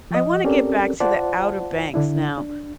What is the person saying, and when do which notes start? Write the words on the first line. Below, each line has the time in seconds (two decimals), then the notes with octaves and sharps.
I wanna get back to the Outer Banks now,
0.11 F3 D#5
0.44 C4 C#4 G4 A4 A#4 D5
1.00 F4 C5 D5 F#5 A5
1.94 D3 D4 E4
2.38 D4